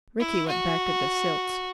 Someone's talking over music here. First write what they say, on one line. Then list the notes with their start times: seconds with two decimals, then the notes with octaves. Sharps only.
Rickie went back to the Silts.
0.20 E4
0.48 F#4